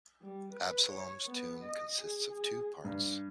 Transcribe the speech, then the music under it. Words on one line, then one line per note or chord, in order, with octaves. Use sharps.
Absalom's tomb consists of two parts.
G3
B4
C#5
B3
D#5
G#4
G#4
G2